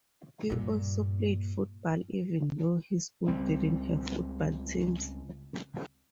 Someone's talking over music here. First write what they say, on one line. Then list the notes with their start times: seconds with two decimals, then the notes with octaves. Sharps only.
He also played football, even though his school didn't have football teams.
0.50 G2 A#2
3.28 C#2 G3 C4